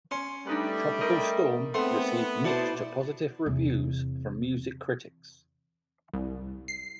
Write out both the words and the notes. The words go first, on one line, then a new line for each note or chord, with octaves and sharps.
"Tropical Storm" received mixed to positive reviews from music critics.
C#4 C6
G3 A3 D4 D#4 B4
A#4 C5 D#5
A3 B3 C4 C6
B2 E4 C5 D5 A5
E2 C3
C2
C7